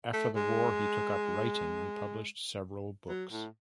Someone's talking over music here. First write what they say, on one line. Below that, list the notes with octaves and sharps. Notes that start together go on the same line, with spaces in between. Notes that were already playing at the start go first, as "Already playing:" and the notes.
After the war he took up writing, and published several books.
A3
G#3
F#3
A2